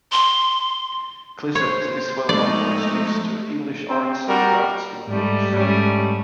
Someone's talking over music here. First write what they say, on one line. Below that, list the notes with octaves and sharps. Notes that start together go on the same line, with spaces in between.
Clissett is well known for his links to the English Arts and Crafts Movement.
C6
C5 C#5
F3 G#3 A3 D#4 D5
C4
G3 F#4 A#4
G#2 G3 A3
G#2 G3 A3 C#4